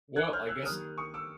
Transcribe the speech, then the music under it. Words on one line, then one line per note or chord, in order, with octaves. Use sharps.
Well, I guess
F#6 G#6
F6 G6
E6 F#6
D#3 G3 A#3 D#6 F6
C#6 D#6
D6 E6